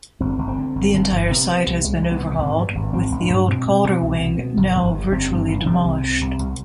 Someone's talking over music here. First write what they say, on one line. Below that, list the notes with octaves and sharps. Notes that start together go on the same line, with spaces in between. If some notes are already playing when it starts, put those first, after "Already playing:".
The entire site has been overhauled, with the old Calder Wing now virtually demolished.
G1 C4
G1
C4
D3
G1
G1
G1
C3 B3
C3
C2
C2 G#3
C2
B3
C3
G#1
G2
G#1
G#1 C4
G#1
D4
G2
B2 C4
B2
B2
C2
B2
B2
G1
G1
G2
G1 C4
G2
G1
C3 C4
C2
C3
C2
C2